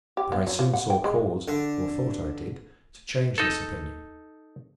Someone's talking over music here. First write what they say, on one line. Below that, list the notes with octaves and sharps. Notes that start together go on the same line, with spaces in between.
But I soon saw cause--or thought I did--to change this opinion.
G4
B3
F#3
F3
F#5
G5
G#3
D3
D#4 A4